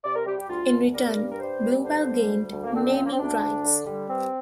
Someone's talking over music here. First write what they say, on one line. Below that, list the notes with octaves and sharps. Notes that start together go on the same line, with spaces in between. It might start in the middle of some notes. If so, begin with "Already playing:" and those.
In return, Blue Bell gained naming rights.
C3 D5
A#4
G3 G4
G4
D2 F4
D2
G3 A#4
G2
A#4
G3 C5
G2
D3 C5
G3
D2
D2
A#3
D3 C4
F3
A#3
C4
D2 D4
D2
D3
G3
G2 C4